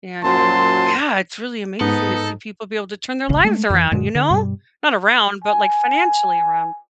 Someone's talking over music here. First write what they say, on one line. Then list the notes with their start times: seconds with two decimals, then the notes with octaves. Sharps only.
and, uh yeah, it's really amazing to see people be able to turn their lives around, you know? Not around, but, like, financially around.
0.24 F#2 A#2 F#3 C5 A5 C6
1.81 G#2 B3 D#4 A4
3.29 E1 A#1 C#3
3.44 G#3 A3
3.70 F2 E3
3.91 F#2 A#2 D3 G#3
4.15 D3
4.30 G2 B2 G3
5.44 G#5